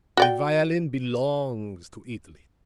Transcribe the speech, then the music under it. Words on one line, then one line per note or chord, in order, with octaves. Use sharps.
The violin belongs to Italy.
F#4 D5 G5